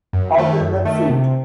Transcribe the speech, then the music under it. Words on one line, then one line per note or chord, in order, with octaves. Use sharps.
How will that suit?
F#2
D#3 A3
F#2
D#3 A3
C3